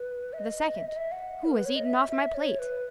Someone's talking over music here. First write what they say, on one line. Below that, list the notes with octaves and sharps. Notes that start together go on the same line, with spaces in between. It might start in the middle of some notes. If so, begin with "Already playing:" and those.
The second, "Who has eaten off my plate?"
Already playing: B4
E5
D#5
E5
D#5
E5
F#5
A#4
B4
C#5
D#5
E5
E5
C#5
B4